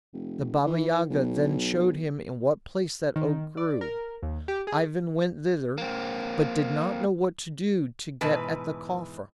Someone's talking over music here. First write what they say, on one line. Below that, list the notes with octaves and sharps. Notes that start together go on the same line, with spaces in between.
The Baba-Yaga then showed him in what place that oak grew: Ivan went thither, but did not know what to do to get at the coffer.
F1
E3
B1
D#3
D5
A#4
D#2
G4
G#4
A#3 C4
G#2 B2 E3 B4 A5